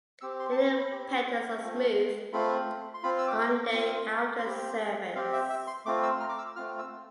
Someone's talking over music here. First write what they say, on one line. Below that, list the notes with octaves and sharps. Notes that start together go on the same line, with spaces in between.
The inner petals are smooth on their outer surface.
C4 G4 E6
C6
A5
B5
B5
C4 G4
A3 C4 F4
A3 C4 F4 B5
C6
C4 F4 B5
E6
D6
D6
C4 F4 C6
C6
C4 G4 B5
C4 G4 F5
E5
E5
C6
A3 C4 F4 D6
E6
F6
D6
E6
A3 C4 F4 F6
E6